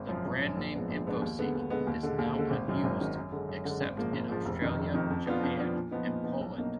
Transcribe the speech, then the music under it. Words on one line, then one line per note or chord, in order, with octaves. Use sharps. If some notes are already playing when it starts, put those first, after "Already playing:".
The brand name of Infoseek is now unused except in Australia, Japan and Poland.
Already playing: G#1
F#2 F3
G#1
F3
F#2
A#1
G#2 F3 B3 D4
A#1
G#2 F3 B3 D4
D#2
D3 G#3 B3
D#2
D3 G#3 B3
D#2
D3 G#3
D#2
D3 G#3
G#1
F#2 D#3 F#3
G#1
F#2 D#3 F#3
F#2
D3 G#3
F#2
D3 G#3
G#1
G#2 F3 A#3
G#1
G#2 F3 A#3
F1
F2 D#3
F1
F2 D#3
F2
F3 B3 D4 F4
F2
F3 B3 D4 F4
A#2
F3 B3 D#4
A#2
F3 B3 D#4
B1
B2 A#3 D#4